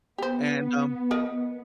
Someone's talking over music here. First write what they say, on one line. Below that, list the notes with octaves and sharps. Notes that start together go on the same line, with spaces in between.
And, um
B3 G4 C5
F3 A#4 D#5